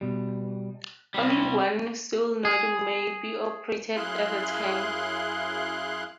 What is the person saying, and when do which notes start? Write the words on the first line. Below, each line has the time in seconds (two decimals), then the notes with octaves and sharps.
Only one solenoid may be operated at a time.
0.01 B2 G3
1.14 C3 G3
2.45 G#4
3.96 F#2 E4 G#4 F5 C6 F#6